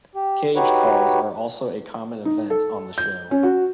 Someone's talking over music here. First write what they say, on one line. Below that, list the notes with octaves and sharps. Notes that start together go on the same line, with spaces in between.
"Cage Calls" are also a common event on the show.
G4
D#4 F#4 G4 B4 C#5
D#4
A4
G6
C#4
F#4